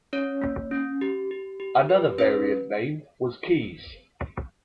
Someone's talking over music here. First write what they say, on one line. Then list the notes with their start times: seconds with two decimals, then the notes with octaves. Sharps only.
Another variant name was Keyes.
0.13 C#4 C#5
0.41 A#3
0.71 C#4
1.01 G4
1.31 G4
1.60 G4
1.89 G4 B4
2.18 C#4 B4